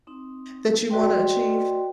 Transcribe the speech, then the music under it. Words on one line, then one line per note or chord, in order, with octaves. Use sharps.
that you wanna achieve?
C4 D#4
F#4 B4 D5 D#5 G5 C6